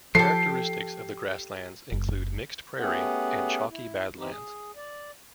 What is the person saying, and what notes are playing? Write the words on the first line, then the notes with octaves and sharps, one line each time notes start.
Characteristics of the grasslands include mixed prairie and chalky badlands.
F3 G4 A4 C7
F#1
A3 B3 C#4 G4 G#4 F#5
E4
E2 E3 C4 D#4 G4
G#4
D5